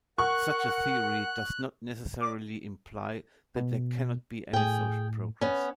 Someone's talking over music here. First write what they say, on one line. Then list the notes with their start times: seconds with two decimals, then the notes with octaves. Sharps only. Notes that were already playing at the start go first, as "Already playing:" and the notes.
Such a theory does not necessarily imply that there cannot be any social progress.
0.18 A#4 F#5 C#6 F#6
2.20 D5 D6
3.56 B2
4.53 A2 G#4 G5
5.41 B3 C#4